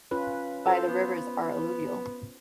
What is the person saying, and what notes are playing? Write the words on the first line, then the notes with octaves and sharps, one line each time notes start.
By the rivers are alluvial.
C#4 F4 B4
F4 A4 C5
B3